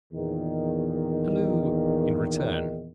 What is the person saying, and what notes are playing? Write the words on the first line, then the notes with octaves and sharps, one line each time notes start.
Halloo!' in return.
E2 A#2 D#3